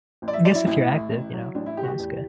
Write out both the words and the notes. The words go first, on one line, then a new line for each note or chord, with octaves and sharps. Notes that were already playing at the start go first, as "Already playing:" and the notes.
guess if you're active, you know, then it's good.
A1
D5
E5
F#3 D5
E4
A1 E4
A2
A1
F#3
A1 D4
E4
A2 G4
F#4
G4
E2